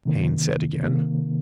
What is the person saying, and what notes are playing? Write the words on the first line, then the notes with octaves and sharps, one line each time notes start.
Haines said again.
C3 D#3 A#3
C3 D#3 A#3